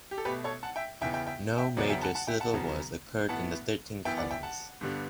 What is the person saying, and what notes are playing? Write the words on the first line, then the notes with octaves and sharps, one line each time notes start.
No major civil wars occurred in the thirteen colonies.
G4
A4
B2 A3 G4 B4
A4 C#5
F#5 A5
E5 G5
E2 C#3 E3 B3 E5 G5
E5 G5
E5 G5
E5 G5
E2 C#3 F#3 B3 D5 F#5
E5 G5
F#5 A5
F#5 A5
E5 G5
F#5 A5
E2 C#3 F#3 B3
A2 E3 B3 F#5 A5
F#2 E3 B3 E5 G5
D5 F#5
E5 G5
F#5 A5
G2 D3 G3 B3